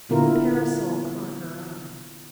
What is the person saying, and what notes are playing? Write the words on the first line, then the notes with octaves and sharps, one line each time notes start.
The parasol caught her eye.
A#2 D3 B3 E4 F4 A#4